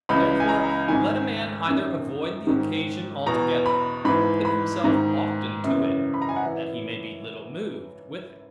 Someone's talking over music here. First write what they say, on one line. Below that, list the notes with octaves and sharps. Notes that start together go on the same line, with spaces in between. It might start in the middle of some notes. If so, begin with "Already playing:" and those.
Therefore, let a man either avoid the occasion altogether; or put himself often to it, that he may be little moved with it.
C#2 C#3 E3 B5
G#5
A#5
G#2 D#3 G#5
F#2 D#3
G#2 D#3
E2 B2 A#5
B5
G#2 E3 B5
B5
G#2 D#3 A#5
F#2 C#3 E3
B5
A#5
G#5
F#5
E3 E5